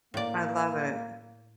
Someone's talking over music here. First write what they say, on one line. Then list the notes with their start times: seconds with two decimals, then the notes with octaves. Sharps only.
I love it.
0.14 A2 A#3 D5